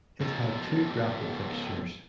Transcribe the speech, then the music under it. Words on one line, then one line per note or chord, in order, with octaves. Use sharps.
It had two grapple fixtures.
G#2 F3